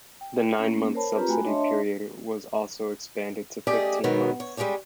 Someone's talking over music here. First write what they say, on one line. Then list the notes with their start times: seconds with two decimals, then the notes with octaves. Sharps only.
The nine-month subsidy period was also expanded to fifteen months.
0.21 G5
0.59 A#3 C#4
0.94 A#4 C5 C#5 A5 B5
1.15 C4 F4 G4 B4 A#5
1.28 A3 F#4 G5 G#5 B5
1.44 D4 C#5 D#5 E5 A5 C6
3.67 A3 C#4 G4 G#4 D5 D#5
4.04 B2 D#3 F#3 B3
4.40 C#5
4.57 G3 G#3 C#4 D4 G4